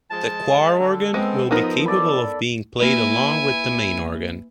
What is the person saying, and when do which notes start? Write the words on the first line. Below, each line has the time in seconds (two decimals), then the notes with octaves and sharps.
The choir organ will be capable of being played along with the main organ.
0.11 F3 G#3 A5
0.80 D3 A4
1.14 G#3 B3 C4
1.51 F3 B3 D#4 A#4
1.86 A4 D5 B5
2.80 A#3 E4 B4 G#5